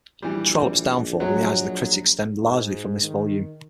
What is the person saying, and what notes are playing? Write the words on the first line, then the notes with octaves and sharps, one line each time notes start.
Trollope's downfall in the eyes of the critics stemmed largely from this volume.
A#1 E3 G3
F#3 G#3 F#4
G#2
D#3